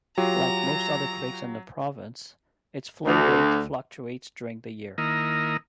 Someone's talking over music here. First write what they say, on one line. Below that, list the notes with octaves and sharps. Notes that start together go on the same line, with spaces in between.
Like most other creeks in the province its flow rate fluctuates during the year.
F#3 F4 G4 A#5
D2
D#3 A#3 E4 A#4 D#5